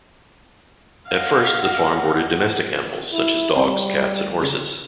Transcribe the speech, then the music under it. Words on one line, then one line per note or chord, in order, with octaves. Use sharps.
At first, the farm boarded domestic animals such as dogs, cats, and horses.
D#5 F5 F#5
E4
G3 C4 C5
C#3